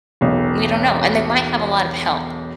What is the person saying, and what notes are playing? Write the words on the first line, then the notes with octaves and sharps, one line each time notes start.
We don't know, and they might have a lot of help
E1 B1